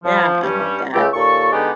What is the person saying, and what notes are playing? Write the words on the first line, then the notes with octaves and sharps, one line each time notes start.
Yeah, I love that.
F3
G2 G3 C#4
C#2 A3 G4
D#2 A#2 A4 C#6
D3 G#3 B3 D#4 G4 D5